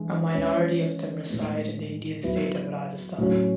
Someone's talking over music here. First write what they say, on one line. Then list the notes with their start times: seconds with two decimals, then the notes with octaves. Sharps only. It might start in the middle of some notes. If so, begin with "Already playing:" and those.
A minority of them reside in the Indian state of Rajasthan.
Already playing: E3 G#3 D4
0.34 E3 G#3 C#4
1.29 A2 G#3 B3
2.23 F#3 B3 E4
3.18 A2 F#3 C#4